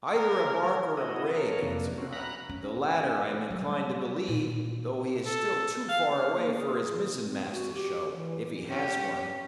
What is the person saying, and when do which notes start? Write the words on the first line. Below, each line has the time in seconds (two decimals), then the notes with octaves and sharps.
"Either a barque or a brig," answered I; "the latter I am inclined to believe, though he is still too far away for his mizzen-mast to show, if he has one."
0.15 A#4
0.97 E4 F#4 D#5
1.37 A4 A#4 C#5
1.62 F2 C3 A#3 D4
1.98 C4 C#4 F#4
2.13 A#5 B5 F#6
2.49 C#4
3.50 F#3 G3
4.28 A#2
5.26 A4
5.89 F5
6.36 A#3
6.57 G#4
7.23 C4
7.51 F#4
7.74 G4
8.14 E3
8.69 C#4 G4